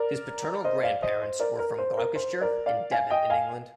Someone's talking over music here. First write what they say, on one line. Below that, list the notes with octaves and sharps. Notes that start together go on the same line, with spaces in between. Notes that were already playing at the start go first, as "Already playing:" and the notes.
His paternal grandparents were from Gloucestershire and Devon in England.
Already playing: A#4 D5
C5 D#5
D5 F5
C5 D#5
C5
A#4 D5
A#4
C5
A#4
C5
A#4 D5
D5 F5
F5 G#5
D#5 G5
F5 G#5